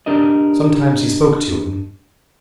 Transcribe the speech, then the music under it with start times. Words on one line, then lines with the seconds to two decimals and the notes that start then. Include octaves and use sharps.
Sometimes he spoke to him.
0.06 D4 G4 A#4 D5 D#5